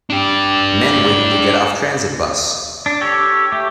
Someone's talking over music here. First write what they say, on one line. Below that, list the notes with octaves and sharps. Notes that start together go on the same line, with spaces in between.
Men waiting to get off transit buss.
D4 G4
D4
G4 A4 C#5
A3 G4